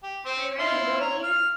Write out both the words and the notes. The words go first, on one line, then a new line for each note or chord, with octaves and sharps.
Are you ready to go, dear?
G4
C4 C5
E4 F4 C6
C#5 A#5
F6